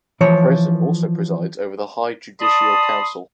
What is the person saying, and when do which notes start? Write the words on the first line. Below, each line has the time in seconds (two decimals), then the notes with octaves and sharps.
The president also presides over the High Judicial Council.
0.21 E3 F3 C#5
2.40 D5 A5 B5 C6 D#6